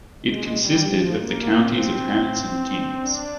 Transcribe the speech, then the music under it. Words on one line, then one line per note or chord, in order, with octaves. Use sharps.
It consisted of the Counties of Hants and Kings.
G#3
G3
F3
A#3
C4
D4